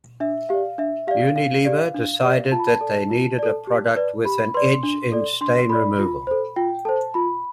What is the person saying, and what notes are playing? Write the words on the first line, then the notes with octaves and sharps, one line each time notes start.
Unilever decided that they needed a product with an edge in stain removal.
D4 E5
G4 D5 F5
D4 E5
G4 D5 F5
D4 F5
G4 D5
D4
G4 D5
F4 A5
B5
A5
A4 D5
F4
A4 D5
G4
B4 D5
G4 B5
B4 D5 C6
D4
A4 D5
D4 C6
A4 D5 B5
F4
A4 C5
F4 G5
A4 C5 A5
F4 B5